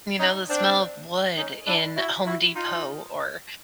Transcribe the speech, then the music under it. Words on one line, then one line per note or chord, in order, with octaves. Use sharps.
You know, the smell of wood in Home Depot or
C#4 D#4
C4 D4
C#4 D#4
D4 E4
E4 F#4
E4 F#4
D#4 F4